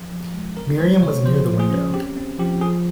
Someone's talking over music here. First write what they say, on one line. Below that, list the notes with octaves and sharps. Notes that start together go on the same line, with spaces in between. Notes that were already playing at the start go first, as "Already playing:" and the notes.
Miriam was near the window.
Already playing: F3
F3
G#3
C4 A#4
G#3 C5
C#3 C#5
F3 C5
F3
G#4
C#4
C4 G4
C4
F3 G4
F3 G#4